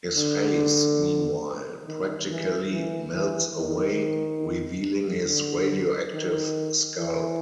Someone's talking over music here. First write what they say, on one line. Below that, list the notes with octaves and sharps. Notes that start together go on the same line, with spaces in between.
His face, meanwhile, practically melts away, revealing his radioactive skull.
D3
D#3
E3
E3
E3
D#3
D3
D#3
E3